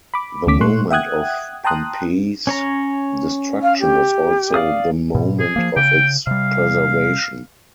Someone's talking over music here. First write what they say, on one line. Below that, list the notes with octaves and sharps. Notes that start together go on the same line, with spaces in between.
The moment of Pompeii's destruction was also the moment of its preservation.
B5 D6
D2 A3 C#4 D6 B6
A#2 A3 C6 C#6 F#6
E5 F#5 G5 D#6 F#6 G#6
G5 A5 A#5 C6 D#6 F#6
C#4 C#5 A#5
F5
G4
D5 F5 D#6
G#2 B2
G#4
F3 A#3
C#3 G5
C3 G3 F5